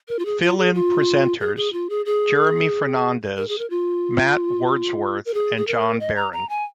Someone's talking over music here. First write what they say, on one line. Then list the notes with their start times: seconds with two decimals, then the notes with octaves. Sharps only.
Fill-in presenters: Jeremy Fernandez, Matt Wordsworth, and John Barron.
0.08 A#4
0.19 F4
0.25 G#4
0.42 F4
0.58 G#4
0.74 F4
1.40 G#4
1.56 G#4
1.73 F4
1.90 G#4
2.06 G#4
3.37 A#4
3.48 G#4
3.58 A#4
3.70 F4
5.25 A#4
5.34 G#4
5.57 G#4
5.67 A#4
6.00 D#5
6.16 A#5
6.33 A#5
6.49 G#5